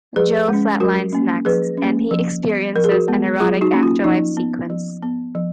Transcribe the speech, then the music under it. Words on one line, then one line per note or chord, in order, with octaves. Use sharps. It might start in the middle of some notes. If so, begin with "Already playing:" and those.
Joe flatlines next, and he experiences an erotic afterlife sequence.
F3 G#4 B4
G#3 C#4
F#3 F#4 A#4
A#3 C#4
F3 G#4 B4
C#4
A#3
F3
B3
F3 A#4
G#4
F#4 A#4
G#3 B3
F#3 F4 G#4
D#4 F#4
A#3 C#4
F4
F3 D#4
B3
F3
B3
F3